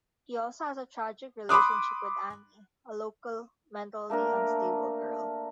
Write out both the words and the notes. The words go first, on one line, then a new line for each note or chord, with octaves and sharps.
He also has a tragic relationship with Annie, a local mentally unstable girl.
B5 C6 D6 D#6 F#6
A3 A#3 D4 A#4